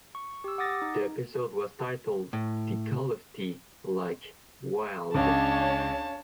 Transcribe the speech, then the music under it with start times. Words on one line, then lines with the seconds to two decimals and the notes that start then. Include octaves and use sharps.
The episode was titled "The Call of the, Like, Wild".
0.15 C#6
0.44 G4 E6
0.58 F#5 D6 D#6 A6 A#6
0.82 D#4
2.33 A2
5.14 C#2 C#4 D4 C#5 F5 A5